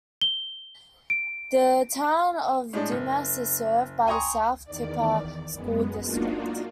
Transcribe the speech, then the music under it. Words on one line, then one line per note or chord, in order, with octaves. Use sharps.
The Town of Dumas is served by the South Tippah School District.
G7
D7
A2 G#3 D4
F#1
G5 G#5 A#5 C6 C#6 D#6
E2 D#3 D5
F#2 G#3 B3
A#3 D4 D#4 F4 F#4